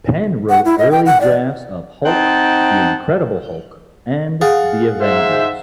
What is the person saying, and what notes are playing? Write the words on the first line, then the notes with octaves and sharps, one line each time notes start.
Penn wrote early drafts of "Hulk", "The Incredible Hulk", and "The Avengers".
F#5
E4
D#5
G5
F#5
D5
C4 D#4 F#5 G5 A5
G#4 F5 F#5 A6
G#2 C5 E5